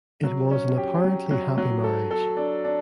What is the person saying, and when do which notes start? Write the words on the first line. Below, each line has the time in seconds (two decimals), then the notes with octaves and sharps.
It was an apparently happy marriage.
0.24 F#3
0.51 C#4
0.78 G4
1.04 F#3
1.31 F#3
1.58 F#3
1.84 A4
2.11 A4
2.37 D4
2.65 D4